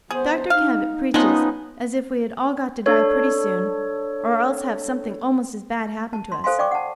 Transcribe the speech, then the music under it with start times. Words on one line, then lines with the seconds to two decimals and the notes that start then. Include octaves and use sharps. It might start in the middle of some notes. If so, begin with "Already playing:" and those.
Dr Cabot preaches as if we had all got to die pretty soon, or else have something almost as bad happen to us.
0.10 B3 G#4 C5
0.50 D#4 F5
1.14 F3 G#3 B3 C#4 D#4
2.86 D4 A4 C#5
6.13 A5
6.32 C6
6.44 A4 C5 F5 G#5 C6
6.59 D5 G5 C#6 D6
6.71 F#5 A5